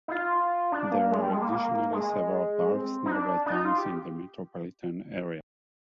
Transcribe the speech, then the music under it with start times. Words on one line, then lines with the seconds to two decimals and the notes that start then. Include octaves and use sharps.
There are additionally several parks nearby towns in the metropolitan area.
0.08 D#4
0.12 F4
0.72 D4
0.92 A#3
1.12 G#3
1.22 G3
1.31 G#3
1.42 A#3
1.52 A#3
1.92 G#3
2.72 C4
3.06 D#4
3.12 D4
3.46 D4
3.51 D#4
3.65 F4
3.78 G4